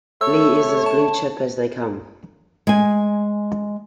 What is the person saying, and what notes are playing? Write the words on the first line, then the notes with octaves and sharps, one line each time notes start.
Lee is as blue chip as they come.
A3 C#5 E6
A5
G#3 G#5